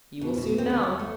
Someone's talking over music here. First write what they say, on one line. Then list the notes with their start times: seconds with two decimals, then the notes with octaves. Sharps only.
"You will soon know."
0.21 B2
0.38 B2
0.58 C4
0.70 D2
0.83 C#5
0.99 A3